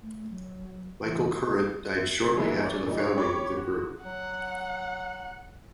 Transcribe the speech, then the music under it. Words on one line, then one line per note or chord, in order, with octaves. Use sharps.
Michael Current died shortly after the founding of the group.
A3
F#3
E3
E3 F#3 G#3 A#3 B3 E4
C#5 D5
A#2 G3 D#4
C#5
G4 C#5 B5 C#6 D6
F#4
F#3 F#5